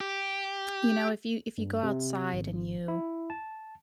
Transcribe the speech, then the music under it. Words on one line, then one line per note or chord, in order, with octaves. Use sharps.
you know, if you if you go outside and you
G4
G2
C3
G#1
E4
A5